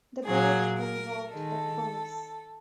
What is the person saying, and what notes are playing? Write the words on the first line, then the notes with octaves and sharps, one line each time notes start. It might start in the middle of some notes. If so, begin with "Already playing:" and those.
They both involved the police.
A#2 F#3 A#3 G#4
A#4
D#3 G#3 A4